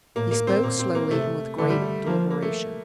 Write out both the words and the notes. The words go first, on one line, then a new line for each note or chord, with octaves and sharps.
He spoke slowly and with great deliberation.
A2 A#3
A#3
C4
A#2 A#3
C4
A#3
C3 A3
D3 A3
G3
A3
F3 A#3
A#3
A3